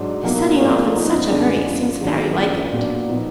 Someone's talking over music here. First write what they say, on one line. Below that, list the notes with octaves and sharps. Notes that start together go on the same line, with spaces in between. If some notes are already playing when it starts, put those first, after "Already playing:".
His setting off in such a hurry seems very like it.
Already playing: G#2 F#3 D4
B2 F#3 A#3 D#4
G#2 F3 A#3 D4
F#2 F3 B3 D#4
F#2 D3 G#3 D4
F#2 D3 F3
G#2 D#3 F#3
F#2 F3 A#3 D4
A#2 F#3 B3 D4
A#2 F3 B3 D#4